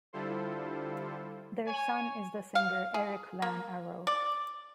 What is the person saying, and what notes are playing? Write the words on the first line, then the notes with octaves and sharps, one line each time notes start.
Their son is the singer Eric van Aro.
D3 G3 E4 F4 A4 C5
C#5 G#5
F5
G#4
A#3
D5